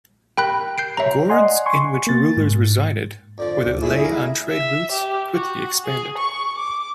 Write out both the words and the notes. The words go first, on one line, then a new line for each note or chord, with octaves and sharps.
Gords in which rulers resided or that lay on trade routes quickly expanded.
G4 A#4 G5 B5 F#6
G6 C7 D7
G4 C#5 E5 A#5
D5 D#5 F#5 G#5 C6
G#5 C6 C#6
A#3 A6
G#2
F2 D3 F3 D5
D2 G2
A#2 D3 A3 E4 G#4 E5
F5 A#5 C6
E5
G4
F#4
G#4
C#6
D6